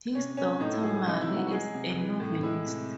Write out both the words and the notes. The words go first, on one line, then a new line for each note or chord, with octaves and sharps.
His daughter Marie is a novelist.
C3 C#4
C3 C#4
A2 D#4
E4
F#3 G#4
G#4
C3 D#4
E4
F#3
F#4
F#4
G#3 G#4
C3
E3
A2
G#3 E4
C3